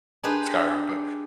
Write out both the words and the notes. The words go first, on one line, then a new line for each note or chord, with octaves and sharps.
Skyrim, but,
D4 D#4 G4 G#4 B4 C5